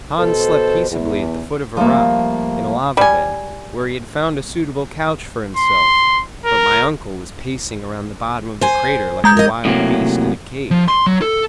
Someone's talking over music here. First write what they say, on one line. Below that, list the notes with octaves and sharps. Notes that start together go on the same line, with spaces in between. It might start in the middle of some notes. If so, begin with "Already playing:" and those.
Hans slept peaceably at the foot of a rock, in a lava bed, where he had found a suitable couch for himself; but my uncle was pacing around the bottom of the crater like a wild beast in a cage.
B2 A4 C5
E2
F3 G3 A3 A#3
G3 G#5
C6
A#4
C5 G#5
G#3 A#5 G6
A#4 D#5
A2 C3 F#3 A#3
F3
C6
F#3
A4